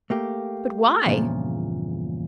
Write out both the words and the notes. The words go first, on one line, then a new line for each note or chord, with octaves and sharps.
But why?
A3 A#3 G4
E2 G2 A#2 C#3 F3